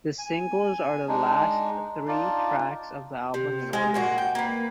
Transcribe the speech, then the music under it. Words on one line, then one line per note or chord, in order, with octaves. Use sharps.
The singles are the last three tracks of the album in order.
G#5
G#3 D4 D#4
D4 D#4 F4 D5
C3
G#3 F5
A#2 A#3 F#4
G5
A#3 B4